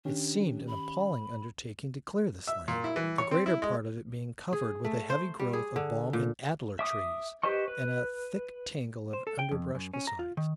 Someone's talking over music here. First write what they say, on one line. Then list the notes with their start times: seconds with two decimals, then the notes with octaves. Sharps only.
It seemed an appalling undertaking to clear this land, the greater part of it being covered with a heavy growth of balm and alder trees and a thick tangle of underbrush besides.
0.05 D#3 C#4 D4 G4
0.67 B5
2.47 E5
2.68 A#2
2.84 E4
2.96 E3
3.18 C#5
3.31 C4
3.46 E4
3.62 G#3
4.53 G#4
4.85 A3
5.10 C5
5.39 G3
5.53 G#4
5.76 D3
6.13 A#2
6.79 E5 D6 D#6
7.43 G4 B4 C5 D#5 C#6
7.68 B4
9.13 C5
9.27 A4
9.39 G5
9.51 F2
9.75 F#2
9.94 C#4
10.07 A#5
10.19 F4
10.37 D#3